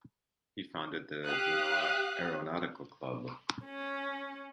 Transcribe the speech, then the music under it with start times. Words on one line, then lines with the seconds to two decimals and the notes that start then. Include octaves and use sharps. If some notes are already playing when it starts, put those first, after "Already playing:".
He founded the Genoa aeronautical club.
1.24 G4 F5 D#6 F#6
3.65 C#4